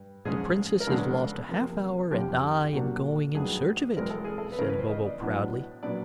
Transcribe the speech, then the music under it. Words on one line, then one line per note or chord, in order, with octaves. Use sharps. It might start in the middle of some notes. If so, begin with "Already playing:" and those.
"The Princess has lost a half-hour and I am going in search of it," said Bobo, proudly.
Already playing: G2
G#2 F3 G#3 C#4 G#4
A#4
C#3 F3 G#3 B3 D4 A4
C3 F3 A#3
F2 D3 F3 G4
G4
A#2 F#3 A#3 D4 F#4
G2 D#3 F#3 A3 D4 G#4
E2 B2 G#3 C4 A#4
A4
G#4
A4
B4
C#3 E3 A3 C4 A#4
B4
C5
D#5
D5
A2 F#3 B3 D4
A#2 F#3 B3 D4 D5